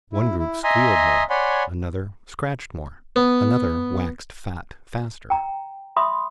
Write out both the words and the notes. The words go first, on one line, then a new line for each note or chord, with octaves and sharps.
One group squealed more; another scratched more; another waxed fat faster.
E4
E4
D#5 E5 G#5 A#5 C6 D#6
C#5 D5 F#5 G#5 B5 C6
B3
G5 A#5
E5 B5 C6 D#6